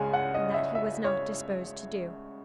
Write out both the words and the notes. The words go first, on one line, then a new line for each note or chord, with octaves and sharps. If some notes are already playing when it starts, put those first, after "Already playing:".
And that he was not disposed to do.
Already playing: C#2 C#3 G#3 C#4 G#5
F#5
D#5
E5
E5
C#5